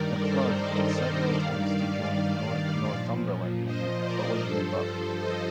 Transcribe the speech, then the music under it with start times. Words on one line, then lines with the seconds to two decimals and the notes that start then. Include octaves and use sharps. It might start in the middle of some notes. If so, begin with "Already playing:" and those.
The club made several attempts to join the North Northumberland League but were rebuffed.
Already playing: G2 D#3 G3 A#4 D5
0.19 A4 C5
0.57 C5 D#5
1.34 G2 D#3 G3 D5 F5
2.88 A#2 F3
3.65 C5 D#5
4.03 A#4 D5
4.41 G2 F3 A4 C5
5.19 C5 D#5